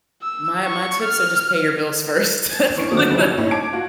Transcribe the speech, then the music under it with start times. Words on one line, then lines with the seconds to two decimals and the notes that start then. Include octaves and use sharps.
My My tips are just pay your bills first. That's probably the
0.22 E6
0.66 C#6
1.03 F6
2.76 E3 C#6 D7
2.90 D3 D#3 F#3 A3 C4
3.11 G2 C#3 F3 F#3
3.38 A2 A#3 C#4 D#4 E4
3.51 A5 D6 G#6 D7
3.73 F4 F#4